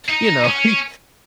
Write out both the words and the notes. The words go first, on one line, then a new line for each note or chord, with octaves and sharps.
you know, he
D#4
C#4